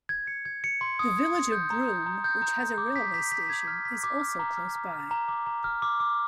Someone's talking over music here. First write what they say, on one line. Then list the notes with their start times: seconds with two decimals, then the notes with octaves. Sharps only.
The village of Broome, which has a railway station, is also close by.
0.09 G#6
0.27 C#7
0.45 G#6
0.64 C#7
0.81 C6
0.99 D#6
1.17 G#6
1.35 C6
1.52 G6
1.70 A#5
1.89 G6
2.06 A#5
2.24 G6
2.42 A#5
2.60 A#5
2.78 D6
2.96 B6
3.14 B6
3.32 B6
3.50 G#6
3.67 F6
3.85 B6
4.04 D6
4.21 F6
4.39 A#5
4.57 F6
4.75 A#5
4.93 F6
5.11 A#5
5.28 D6
5.47 A#5
5.64 F6
5.82 D6
6.00 D6